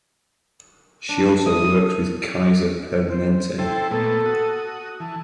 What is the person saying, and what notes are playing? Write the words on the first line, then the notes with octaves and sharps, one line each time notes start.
She also works with Kaiser Permanente.
D4
E4 D#6
C5
E4 A4 C5 G5
A#2 A3 B3 A4
F#4 D#6
E3 A5